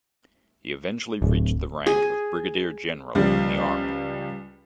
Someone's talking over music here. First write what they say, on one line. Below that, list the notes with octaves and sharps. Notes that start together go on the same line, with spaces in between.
He eventually reached the rank of brigadier general in the army.
D1
G#4
C#2 F3 G3